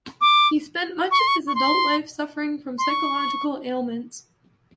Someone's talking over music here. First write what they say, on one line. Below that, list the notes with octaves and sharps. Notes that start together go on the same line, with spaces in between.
He spent much of his adult life suffering from psychological ailments.
D6
C#6
C6
C#6
C#6
C6
C6
C#6